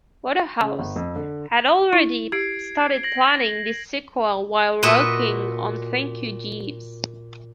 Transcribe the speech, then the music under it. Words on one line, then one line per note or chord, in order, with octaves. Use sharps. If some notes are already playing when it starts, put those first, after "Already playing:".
Wodehouse had already started planning this sequel while working on "Thank You, Jeeves".
C#3
G1
F2
D3
E4
G4 G#6 C7 D7
A#6 F#7
A#2 F#4 B4 D#5 E5